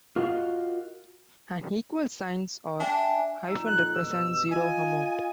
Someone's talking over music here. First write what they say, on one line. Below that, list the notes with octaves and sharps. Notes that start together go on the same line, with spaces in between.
An equals sign or hyphen represent zero amount.
F4 F#4 A#4 D#5 F5 F#5
D4 E5 G5 G#5
F2 A#2 D#4 E6
F#6
G2 B2 E6
F4 D#5 G#5